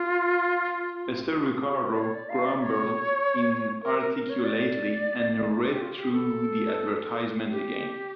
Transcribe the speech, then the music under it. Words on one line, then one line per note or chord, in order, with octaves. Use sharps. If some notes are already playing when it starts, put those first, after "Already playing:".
Mr. Ricardo grumbled inarticulately, and read through the advertisement again.
Already playing: F4
F4
G4
A#4
D5
C#5
D5
F5
D5
C#5
A#4
A#4
A#4
C#5
D5
G4
F4
G4
A4
G4